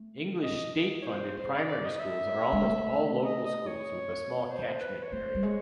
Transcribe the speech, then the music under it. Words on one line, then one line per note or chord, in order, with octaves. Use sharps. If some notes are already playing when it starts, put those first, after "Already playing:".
English state-funded primary schools are almost all local schools with a small catchment area.
Already playing: A3
D#5
C#5
C5
G#3 C5
D5
D5
D#5
E5
G#3
A3
D#5
D#5
C#5
C5
B4
C#5
A3 C5
G3
G#3 C#5